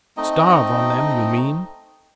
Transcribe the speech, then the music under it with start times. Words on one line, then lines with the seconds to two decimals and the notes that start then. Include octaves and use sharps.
"Starve on them, you mean?"
0.17 A3 C4 D#4 D#5